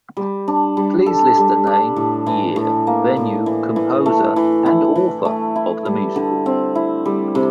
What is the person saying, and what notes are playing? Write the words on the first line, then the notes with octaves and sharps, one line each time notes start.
Please list the name, year, venue, composer, and author of the musical.
G3
D4
G3
A4
G3
D4
A2
E3
A2
A#3
A2
E3
E3
A3
E3
E4
E3
A3
E4
G3
D3
C4
E4
G3
C3